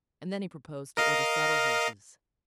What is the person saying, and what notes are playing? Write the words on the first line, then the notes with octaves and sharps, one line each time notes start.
And then he proposed to order saddle-horses.
A#4 D#5 F5